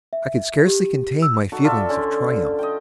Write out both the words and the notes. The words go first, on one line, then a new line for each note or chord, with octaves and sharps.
I could scarcely contain my feelings of triumph.
E5
G4
E6
D#4 F#4 A4
F4 A4 D5 E5
D3 C#4
D#5 G5